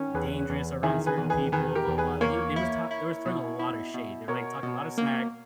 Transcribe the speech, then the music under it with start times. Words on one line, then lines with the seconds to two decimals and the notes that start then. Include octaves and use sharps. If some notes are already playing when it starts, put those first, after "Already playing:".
dangerous around certain people, blah blah blah. Like, you they was ta they was throwing a lotta shade. They're, like, talking a lotta smack
Already playing: D#3 C#4
0.14 E2 G#4 B4
0.49 E2
0.83 D#3 E4 G#4
1.06 G#4 B4
1.18 E2
1.30 G#4 B4
1.52 D#3 G#4 B4
1.75 G4 A#4
1.88 E2
1.98 G#4 B4
2.21 A#3 A#4 C#5
2.56 E4
2.91 E4
3.25 B2
3.59 E4
3.94 B2
4.28 B2 A#4 C#5
4.63 B2
4.98 A#3